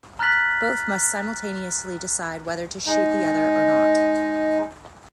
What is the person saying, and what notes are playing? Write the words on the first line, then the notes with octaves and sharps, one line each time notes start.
Both must simultaneously decide whether to shoot the other or not.
A#5 F6 F#6 A6 B6 F#7
G#3 D#4